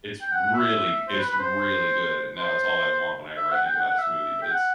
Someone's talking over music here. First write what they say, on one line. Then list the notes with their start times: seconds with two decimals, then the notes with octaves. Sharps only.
It's really g it's really good, and now it's all I want whenever I think about a smoothie, but it's
0.22 G5
0.32 F#5
0.43 F#5
0.54 E5
1.08 C5
1.19 B4
1.29 B4
1.39 C5
2.37 C5
3.37 E5
3.52 F#5
3.65 G5
3.76 F#5
3.87 F#5
3.98 E5
4.42 G5
4.51 F#5